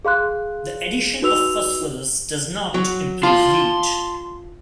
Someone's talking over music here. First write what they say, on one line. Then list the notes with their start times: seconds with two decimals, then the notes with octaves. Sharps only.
The addition of phosphorus does not improve yield.
0.05 G#4 F5 C6 F#6
1.22 D#4 F#4 B4 E6 F7
2.74 F#3
3.23 F4 A5 C6